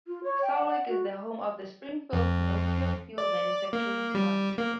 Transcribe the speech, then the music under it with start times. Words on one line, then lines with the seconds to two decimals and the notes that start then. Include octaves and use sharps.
Salwick is the home of the Springfields nuclear fuel manufacturing plant.
0.07 F4
0.24 C#5
0.42 G5
0.55 F#5
0.68 F#5
0.88 F#4
2.13 F2
3.18 D5
3.73 A#3
4.15 G3
4.58 A#3